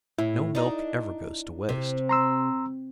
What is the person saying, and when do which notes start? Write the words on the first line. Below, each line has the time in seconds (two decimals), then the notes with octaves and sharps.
No milk ever goes to waste.
0.18 A2 E4
0.55 D4 D#4
1.69 C3
2.09 A#5 C6 E6